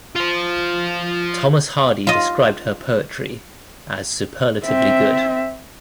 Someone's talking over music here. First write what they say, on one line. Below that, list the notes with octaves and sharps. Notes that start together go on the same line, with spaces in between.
Thomas Hardy described her poetry as "superlatively good".
F4 C5
F4 D#5
C4 E5